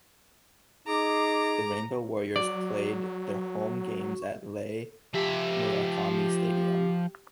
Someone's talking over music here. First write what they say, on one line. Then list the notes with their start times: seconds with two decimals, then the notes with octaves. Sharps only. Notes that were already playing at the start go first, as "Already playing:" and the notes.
The Rainbow Warriors played their home games at Les Murakami Stadium.
0.88 D#4 G#4 A#5 D6
2.36 F#3 F#4 D5
5.14 F3 G4 E5